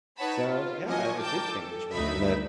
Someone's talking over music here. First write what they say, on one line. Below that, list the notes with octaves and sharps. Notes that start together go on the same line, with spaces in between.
so yeah, it did change me, and it
D#4 B4 C#5 F#5 A5 B5
F4
F3 F#3 A#3 D#5 G#5 C#6
A#4 G5 A5 D6 G6
A4
D2 D#4 F#4 E5 B5